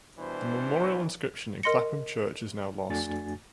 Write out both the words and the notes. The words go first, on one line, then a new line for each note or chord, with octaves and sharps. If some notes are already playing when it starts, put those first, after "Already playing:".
The memorial inscription in Clapham church is now lost.
B2 E3 G3 D4 C5
A#4 D#5 C6 A#6 C#7
F2 A3 D4 F#4 G#5 A6